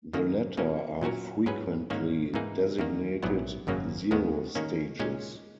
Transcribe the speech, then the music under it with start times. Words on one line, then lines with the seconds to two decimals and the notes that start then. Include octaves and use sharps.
The latter are frequently designated "zero stages".
0.13 F#2 D#3 A#3
0.57 B2 A#3 C#4
1.01 A#2 F#3 C#4 F#4 A#4
1.46 G#2 F#3 C#4 G#4 B4
1.90 G#2 D#3 A#3 C#4
2.34 G#2 E3 A#3 D#4 G#4
2.79 E2 D#3 A#3
3.23 A#1 G#2 F#3 B3 E4
3.67 G#1 F#2 C#3 F#3 A#3
4.11 D#2 D#3 G#3 B3
4.55 D#3 A#3 C#4
4.99 A#2 G#3 C#4